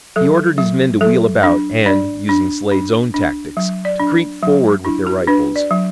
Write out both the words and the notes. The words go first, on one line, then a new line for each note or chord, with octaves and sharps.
He ordered his men to wheel about, and, using Slade's own tactics, to creep forward with their rifles.
F#3 A4
F#3
F#3 A4
D4
D4 D5
D4
D4
D4
F#3
D5
D4
F#3
D4 E4
F#4
D4 B4
D5
F#3